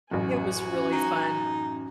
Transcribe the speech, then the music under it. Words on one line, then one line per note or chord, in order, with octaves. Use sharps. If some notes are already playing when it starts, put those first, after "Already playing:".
It was really fun.
A1 F#2 F#4 G#5
D#4